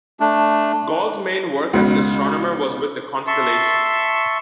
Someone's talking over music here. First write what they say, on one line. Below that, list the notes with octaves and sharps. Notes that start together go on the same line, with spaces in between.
Gall's main work as an astronomer was with the constellations.
A3 D4
C#2 B2
E5 A5 C6 C#6